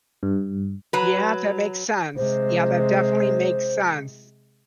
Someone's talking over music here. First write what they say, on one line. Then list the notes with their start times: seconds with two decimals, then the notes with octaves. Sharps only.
Yeah, that makes sense, yeah, that definitely makes sense.
0.23 G2
0.93 F#3 B4
2.16 C3 G#3 C5